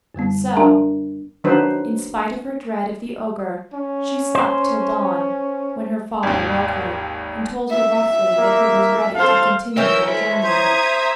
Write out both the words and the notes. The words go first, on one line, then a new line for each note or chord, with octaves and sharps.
So, in spite of her dread of the ogre, she slept till dawn, when her father woke her, and told her roughly that he was ready to continue their journey.
F#2 D3 G3 B3
D4 A#4 D5 E5 G#5 A#5
D#3 F#3 D4 D#4 B4 C5
C#4
C5
G#1 D#2
E5
A#3
A4 C5 F5
E3 C#4 E4 A#4 E6 G6
A4 C5 E5 B5
C5 A#5 D#6 G#6